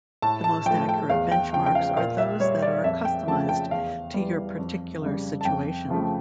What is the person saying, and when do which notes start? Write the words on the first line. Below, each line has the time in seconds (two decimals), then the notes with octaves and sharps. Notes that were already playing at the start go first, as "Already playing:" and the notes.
The most accurate benchmarks are those that are customized to your particular situation.
0.22 A2 A5
0.44 A5
0.66 F3 A3 G5
0.89 G5
1.09 E2 F5
1.32 G5
1.53 C#3 F3 G5
1.66 G5
1.75 F5
1.97 A#2 F5
2.18 E5
2.40 G3 C#5
2.62 D5
2.84 F2 E5
3.05 G5
3.27 C#3 F3 A3 A5
3.49 G5
3.71 E2 F5
4.14 E3 G3
4.59 F2
5.01 C#3 G3
5.41 A5
5.45 F2 G5
5.89 C#3 F3 A3